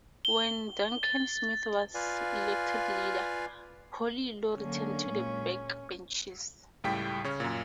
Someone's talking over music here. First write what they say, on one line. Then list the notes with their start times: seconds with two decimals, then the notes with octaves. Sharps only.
When Duncan Smith was elected leader, Portillo returned to the backbenches.
0.25 G7
1.03 A6
1.94 F4 B4 D5 F5 G#5
4.56 D3 F#3 A#3 C#4
5.10 A#2 G#3
6.84 C#2 A2 G3 G5 B6
7.24 C#3 C#4
7.40 F#2 A#2